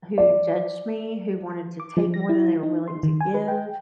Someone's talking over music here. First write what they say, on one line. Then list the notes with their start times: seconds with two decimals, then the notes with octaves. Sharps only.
who judged me, who wanted to take more than they were willing to give,
0.18 D5
1.80 D6
1.97 F3
2.14 A#6
2.29 E4
2.63 D#4
2.88 C6
3.03 D#3
3.21 G#5
3.34 B4
3.48 G5